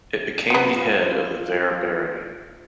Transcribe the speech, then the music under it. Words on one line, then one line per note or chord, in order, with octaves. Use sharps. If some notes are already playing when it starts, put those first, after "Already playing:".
It became the head of the Vere barony.
F#3 B3 F4